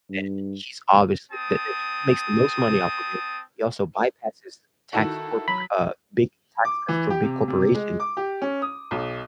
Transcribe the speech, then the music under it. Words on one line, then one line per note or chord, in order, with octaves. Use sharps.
then he's obviously that he makes the most money off of it, he also bypasses tax corporate, uh, big tax cuts for big corporations.
G2
C4 A5 D#6
D#3 E4 F#4 A4
F#3 B5
D6
E3
G4
C3
C3
G#3
D6
G4
C#4
D#6
B1